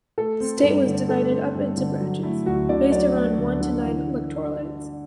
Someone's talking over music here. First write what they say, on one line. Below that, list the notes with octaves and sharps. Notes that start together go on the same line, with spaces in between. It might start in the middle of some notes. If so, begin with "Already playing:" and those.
The state was divided up into branches, based around one to nine electorates.
A3 A4
C4
B4
G2 A4
D3
A3 A4
C4
G2
D3
F#3
A3 E4
D2 F#4
D3 D5
F#3 D5
A3
D2
D3
E3